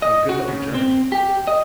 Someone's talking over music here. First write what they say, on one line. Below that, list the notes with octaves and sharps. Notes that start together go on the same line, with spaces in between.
And good luck in Germany.
D#5
F#4
C#3
C4
G4
D#5